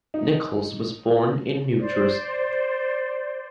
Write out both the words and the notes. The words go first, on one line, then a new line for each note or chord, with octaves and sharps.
Nichols was born in New Jersey.
D#4
C5 D5